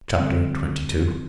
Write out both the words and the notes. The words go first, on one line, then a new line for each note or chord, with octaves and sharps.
Chapter XXII.
D3 G3 C4